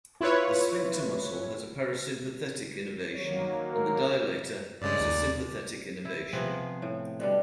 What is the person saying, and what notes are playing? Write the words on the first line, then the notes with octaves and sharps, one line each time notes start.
The sphincter muscle has a parasympathetic innervation, and the dilator has a sympathetic innervation.
E4 F4 B4 C#5
D#3 F#3 A#3 C#5
A#4
G2 C#3 G#3 D5
D#2
E4
C3 F3 B3 G#4
A2
B2 D3 G3